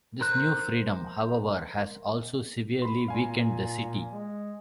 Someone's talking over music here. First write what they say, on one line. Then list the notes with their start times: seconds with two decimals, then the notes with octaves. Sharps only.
This new freedom, however, has also severely weakened the city.
0.21 A#4 C5 F#6
2.82 B5 C6
3.08 A#2 F5 G#5
4.12 G#3